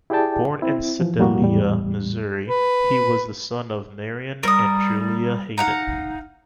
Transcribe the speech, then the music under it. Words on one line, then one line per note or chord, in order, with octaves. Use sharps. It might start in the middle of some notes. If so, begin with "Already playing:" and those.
Born in Sedalia, Missouri, he was the son of Marion and Julia Hayden.
E4 G4 G#4 D5 G5 A5
C4 E4
E3 F3
F2 B2 G3 A#3 F#4
E2 A2 G3
B4
G3 A#4 D#6
D#4 F5 F#5 A#5